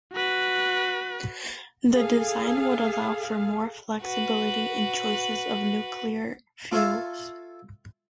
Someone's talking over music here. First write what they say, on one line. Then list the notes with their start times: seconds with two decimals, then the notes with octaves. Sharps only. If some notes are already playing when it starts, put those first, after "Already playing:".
The design would allow for more flexibility in choices of nuclear fuels.
0.14 F#4 B4
1.92 G#4 A4 F5
4.02 F#4 B4
6.72 F4 A4 C#5 E5 F5